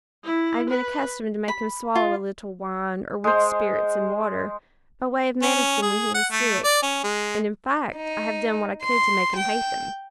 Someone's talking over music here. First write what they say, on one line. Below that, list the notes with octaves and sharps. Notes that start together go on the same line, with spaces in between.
I have been accustomed to make him swallow a little wine or weak spirits-and-water, by way of medicine, when he was sick, and, in fact, I have done what I could to make him hate them.'
E4
B4
B5
F4
G#3 C5
C#4
G#4
F#5
A3
D5
C#4
G#3
D#4
C6
G5